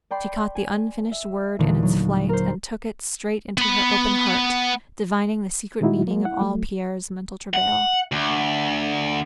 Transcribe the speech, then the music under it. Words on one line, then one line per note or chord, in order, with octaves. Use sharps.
She caught the unfinished word in its flight and took it straight into her open heart, divining the secret meaning of all Pierre's mental travail.
D5 G5 B5 C6
G#5
E5
D#2 A#2 D3 E3 A3
F#3
A#4 C5
B3 B5
A#2 D#3 G#3 D#4 E4 F#4
G#3 A#3
E4 F#5
F#3 A3
F#5
D2